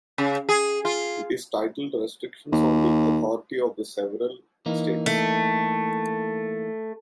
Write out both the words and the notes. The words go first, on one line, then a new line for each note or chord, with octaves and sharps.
It is titled, Restrictions on the Authority of the Several States.
C#3
G#4
F4
D#2
E3 A#3 D#4
A3